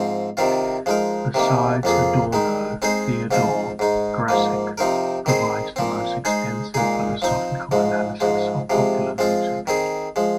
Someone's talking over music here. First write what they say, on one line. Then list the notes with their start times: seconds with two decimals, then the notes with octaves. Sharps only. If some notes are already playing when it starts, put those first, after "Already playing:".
Besides Adorno, Theodore Gracyk provides the most extensive philosophical analysis of popular music.
Already playing: G#2 F3 C4
0.37 C3 D#3 C4 F4
0.86 F3 G#3 D#4 A#4
1.34 C3 D#3 A#3
1.83 F2 F3 A#3 F4 G#4
2.33 D#3 G#3 D#4
2.82 G#3 C4 D#4 G#4 C5
3.31 G#2 F3 C4 F4 C5
3.79 G#2 G#3 D#4
4.28 G#2 F3 A#3
4.78 C3 F3 C4 D#4 A#4
5.26 D#3 C4 G#4 C5
5.76 A#2 F3 C4
6.25 G#3 D#4 G#4 C5
6.74 A#2 G#3 D#4 G#4
7.22 F3 C4 D#4 C5
7.71 G#2 F3 G#3
8.20 G#2 F3 G#3
8.70 C3 F3 G#3
9.18 F3 G#3 C4 F4
9.67 D#3 C4 G#4
10.16 F3 G#3